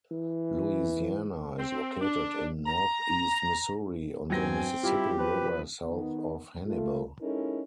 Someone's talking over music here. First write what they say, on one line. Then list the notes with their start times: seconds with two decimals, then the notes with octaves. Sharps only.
Louisiana is located in northeast Missouri, on the Mississippi River south of Hannibal.
0.12 E3
1.58 C4
2.01 D4
2.66 A#5
4.30 G2 F#3 C4 G5 G#5 A#6
4.83 G3 E4 F4 G4
5.19 F3 B4
5.86 D#3 B3 D#4
6.66 A3 F4
7.21 G#3 C#4 D#4 E4 A4 A#4